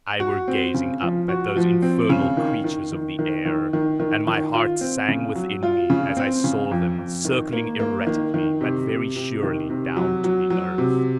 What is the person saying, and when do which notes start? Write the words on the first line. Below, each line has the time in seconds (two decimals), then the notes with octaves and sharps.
I were gazing up at those infernal creatures of the air; and my heart sang within me as I saw them, circling erratically but very surely down to the earth.
0.20 F#4
0.48 C4
0.74 C#3
1.02 F3
1.29 F#4
1.56 F3
1.82 C4
2.09 C#3
2.37 D#3
2.64 D#3
2.92 D#3
3.19 D#3
3.45 D#3
3.73 D#3
4.00 D#3
4.27 D#3
4.54 F4
4.81 C4
5.08 C#3
5.35 F#3
5.63 F4
5.90 C#3
6.17 C4
6.44 C#3
6.71 F2
6.98 F2
7.25 D#3
7.53 A#3
7.79 A#3
8.07 D#3
8.34 D#3
8.61 C3
8.88 C3
9.16 C3
9.43 D#3
9.70 C3
9.96 F#3
10.24 F#3
10.50 F#3
10.78 C3